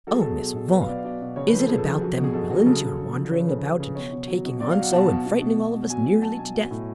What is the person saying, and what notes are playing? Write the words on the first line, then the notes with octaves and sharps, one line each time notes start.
"Oh, Miss Vaughan, is it about them willains you are wandering about and taking on so, and frightening all of us nearly to death?"
F#3 A4
G#4
B2 A4
B2
B2
F#3 B4
F5
B2 D5
F5
B2 D5
B2
C#3 C#5
B4
F3
A4
F3 G#4
A4
F3
F#3
B2
G#4
B2 A4
F#3
C#3 A4
C#3
C#3
F3
C#3 C#5
B4
C#3 A4
C#3 B4
C#3
B2 C#5
B2
F#3
B2
F#3 D5
F5
F#3 F#5
B2 A5
B2
B2
B2
B2
B2
F#3 G#5
B2
F#3 A5
B2 G#5
F#3
A2